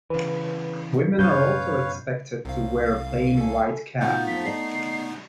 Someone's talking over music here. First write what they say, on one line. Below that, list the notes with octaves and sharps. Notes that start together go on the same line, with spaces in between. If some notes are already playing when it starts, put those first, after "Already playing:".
Women are also expected to wear a plain white cap.
C#3 E3 B4
F#2 B2 C#4 B4 C#5 F5 G6
C2 C3 F5
A4 G#5
A#2 A3 B3 D#4 F4 F#4 G6
F2 F4 B6
D5 D#5 A#5 C7